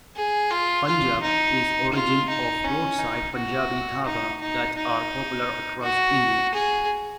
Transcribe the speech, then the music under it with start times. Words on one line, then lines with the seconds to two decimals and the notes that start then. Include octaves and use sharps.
Punjab, is origin of roadside Punjabi dhaba that are popular across India.
0.16 G#4
0.51 F4
0.87 F4
1.22 D#4
1.93 F4
2.29 D#4
2.64 C#4
2.99 D#4
3.35 F#4
4.06 D#4
4.41 D#4
4.77 D#4
5.83 F#4
6.54 G#4